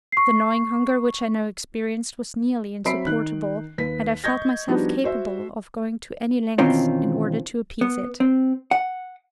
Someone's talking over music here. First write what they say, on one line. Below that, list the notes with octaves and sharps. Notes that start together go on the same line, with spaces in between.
The gnawing hunger which I now experienced was nearly insupportable, and I felt myself capable of going to any lengths in order to appease it.
C#6 C7
F#3 C4 E5 B5 C7 D7
D#3 D#4 F#6
D#2 B4 B6
D#5 C#6 G6 G#6 A#6
F3 G3 B3 D4 D#4 F#4
F#4 C5 E5
B2 D#3 E3 C4 C#4 F4
B3
C4
F#5